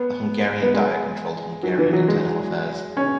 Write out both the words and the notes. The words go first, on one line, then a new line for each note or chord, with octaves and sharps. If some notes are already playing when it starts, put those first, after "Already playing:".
The Hungarian Diet controlled Hungarian internal affairs.
Already playing: B3
B3
G#3
F#3
E3
F#3
G#3
C#4